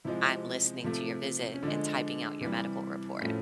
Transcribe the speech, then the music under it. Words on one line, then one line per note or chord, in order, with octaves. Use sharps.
I'm listening to your visit and typing out your medical report.
C3 F3 G#3 E4
C3 F3 A3
C#4
D3 F3 G#3 D4
C3 E3 G3
A2 F3 A3 C#4